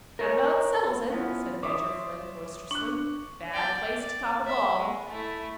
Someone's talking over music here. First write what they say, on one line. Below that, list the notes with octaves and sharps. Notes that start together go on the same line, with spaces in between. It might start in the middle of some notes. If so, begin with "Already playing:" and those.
That about settles it," said Major Flint boisterously. "Bad place to top a ball!
A#4 C#5
B3 C#4 E4 F4
C#5 D5 E5 C6 D6 D#6
D4 C#6 F#6
D5 G5
D5
E5 B5
G#3
A3 E4